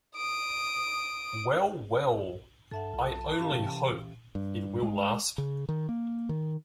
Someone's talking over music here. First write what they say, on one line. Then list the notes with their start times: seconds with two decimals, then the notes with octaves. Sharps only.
Well, well, I only hope it will last.
0.15 D#6 D7
2.71 G2 A4 E5 F#5 A5
2.94 B1 F4
3.39 C#4 G4 F5
3.51 C3 E3 G5
4.35 G2
4.83 G#3
5.38 C#3
5.69 D#3
5.89 A#3
6.29 D#3